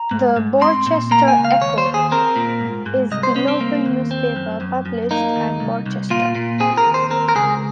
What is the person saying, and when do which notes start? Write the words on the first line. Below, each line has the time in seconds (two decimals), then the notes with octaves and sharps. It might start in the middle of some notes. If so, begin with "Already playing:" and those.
"The Borchester Echo" is the local newspaper published at Borchester.
Already playing: A#5
0.11 G#2
0.36 G#2
0.61 C4 C6
0.86 A#2
1.11 A#3 A#5
1.28 G#5
1.37 C#2
1.45 F5
1.61 D#2 C#5
1.78 C5
1.86 D#2
1.94 G#4
2.11 C4 A#4
2.36 A#2
2.61 G#2
2.86 G#2
3.11 C2 D#5
3.23 C5
3.36 C2 C#4
3.48 C4
3.61 A#3
3.86 D#2
4.11 C4
4.36 F#2
4.61 F#2
4.86 F#2
5.11 A#3 D#4
5.36 D#2
5.60 C2
5.86 C2
6.10 A#2 F4
6.35 A#2
6.60 C4 G#4
6.77 A#4
6.86 D#2
6.94 C5
7.10 C4 A#4
7.29 A#4
7.35 C#2 G#4